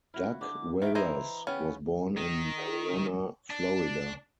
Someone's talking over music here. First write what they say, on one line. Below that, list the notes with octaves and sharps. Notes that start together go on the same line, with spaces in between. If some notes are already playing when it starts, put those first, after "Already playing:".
Doug Weathers was born in Marianna, Florida.
E4 F#4 F6
D3 D6
D#3 E3 E5 G5
E3 E4 C5 D#5 A#5
C#3 B3 C#4 G5
D#3
D4